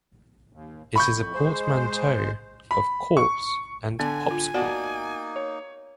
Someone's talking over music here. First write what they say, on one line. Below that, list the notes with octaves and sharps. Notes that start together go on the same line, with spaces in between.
It is a portmanteau of "corpse" and "popsicle".
D#2
F2 A2 B5 C#6 G6
G#3 C5
B5
C#6
D3 B3 G#5
F4
A#3 B3 D#4 F#4 D5 F#5
C#5